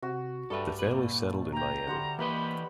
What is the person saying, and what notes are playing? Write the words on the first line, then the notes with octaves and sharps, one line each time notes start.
The family settled in Miami.
C3 F#4
G2 G3 A3 D4 A4 B4
A#2 B4
G4 G5 A#5
D3 G3 C5 F#5
E3 A#3 G4 B4 C5 D#5 B5